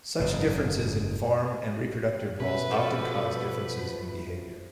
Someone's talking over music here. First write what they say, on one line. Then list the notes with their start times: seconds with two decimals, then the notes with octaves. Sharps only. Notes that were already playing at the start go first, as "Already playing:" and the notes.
Such differences in form and reproductive roles often cause differences in behavior.
0.20 F#1 G#2
2.40 B2 C#4 B4 E5
2.71 F3 A3 F#4 A4